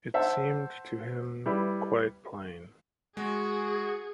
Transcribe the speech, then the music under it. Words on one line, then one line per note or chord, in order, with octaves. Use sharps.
It seemed to him quite plain.
C5 E5 F#5 A5
G3 E4 B4
G#3 F#4 G#4